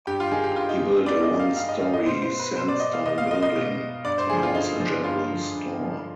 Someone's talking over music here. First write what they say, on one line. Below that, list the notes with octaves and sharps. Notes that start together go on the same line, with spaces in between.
He built a one-story sandstone building to house a general store.
G2 G4
F4
D#3 G#4
G4
G2 F4
D#4
D#3
G2 D5
D#5
D#3
F5
G2 F5
D#5
D#3 F5
D#5
B2 C5
C5
B4
B2 C5
D5
D#5
F5
B2 D#5
F5
D#5
D#5
B2
G2 D5
C5
D3 F3 G#4
F4
G2 D#4
D3 F3
G2 F4
D3 F3
G2
D3
F3